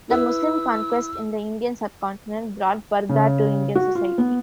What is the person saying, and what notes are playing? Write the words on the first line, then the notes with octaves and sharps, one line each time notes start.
The Muslim conquest in the Indian subcontinent brought purdah to Indian society.
E4 B4 E6
C#3
F#4
F4
B3